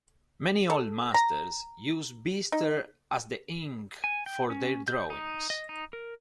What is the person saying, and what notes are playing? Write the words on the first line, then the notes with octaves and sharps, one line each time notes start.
Many Old Masters used bistre as the ink for their drawings.
A4
A#5
D#4
G#5
G5
C#4
G6
D#4
D#5
D#4
A#4